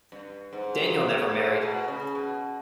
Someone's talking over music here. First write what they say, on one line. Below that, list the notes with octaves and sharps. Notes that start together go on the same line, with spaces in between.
Daniell never married.
G2
G#2
G#2
B2
C#3
B2